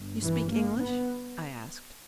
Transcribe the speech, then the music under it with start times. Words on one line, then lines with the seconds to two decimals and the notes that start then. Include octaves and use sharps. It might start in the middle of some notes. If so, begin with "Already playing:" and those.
"You speak English?" I asked.
Already playing: G1 G2
0.22 E3
0.51 A#3
0.80 B3